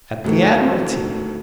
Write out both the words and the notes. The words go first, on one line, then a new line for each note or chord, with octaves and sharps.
"At the Admiralty."
D2 A2 D#3 A3